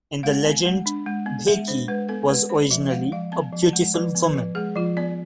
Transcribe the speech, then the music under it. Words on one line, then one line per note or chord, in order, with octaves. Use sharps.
In the legend, Bheki was originally a beautiful woman.
G#3 F5
B3
G#3
D4
G#3
B3
G#3 E5
D4 C5
G#3 B4
B3 A4
G#3 B4
D4 C5
F3 E5
G#3 F5
F3 F5
B3 A5
F3
A5
G#3
F3 B4
B3
B4
F3
G#3 G#4
F3 F4
B3 D5